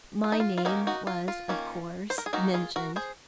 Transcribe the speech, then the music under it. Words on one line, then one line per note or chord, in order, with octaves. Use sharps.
My name was, of course, mentioned.
F4
D#4
F4
F4
D#3 A#3 C#4 D#4 F#4
D#4 F#4
F4
F4
D#3 A#3 C#4
C5
A#4
G#4
D#3 A#3 C#4 D#4 F#4
F4 G#4
F#4 A#4
G#4 C5